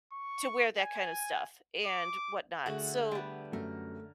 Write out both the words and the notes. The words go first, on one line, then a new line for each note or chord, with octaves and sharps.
to wear that kind of stuff and whatnot. So,
C#6
G#5
D6
D3 A3 F#4 G#4
G3 B3
F#2 A3 A#4